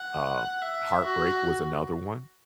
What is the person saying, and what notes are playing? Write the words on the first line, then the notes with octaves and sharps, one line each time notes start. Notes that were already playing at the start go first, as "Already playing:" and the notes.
um, heartbreak was another one,
Already playing: F#5
E5
F#4